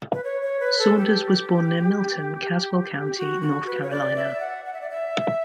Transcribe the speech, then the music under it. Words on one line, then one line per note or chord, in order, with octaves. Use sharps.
Saunders was born near Milton, Caswell County, North Carolina.
B4
C#5
C#5
B4
A4
G4
F#4
F#4
B4
C#5
D5
E5
F#5
F#5
E5
D5
E5